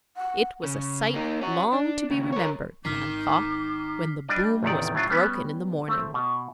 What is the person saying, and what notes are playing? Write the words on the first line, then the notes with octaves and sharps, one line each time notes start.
It was a sight long to be remembered, Nan thought, when the boom was broken in the morning.
F#5
C#3
A#3 D#4
C#4 F#4
D4
D#2 C#3
A#4 C#5
G#1 D#3 D6 F6 B6 C7
G3 D4 D5 D#5
A1 E2 C3 D#3 D5
A2 F#3 D4 F4
G3 B3 C#4
A3 C4
B2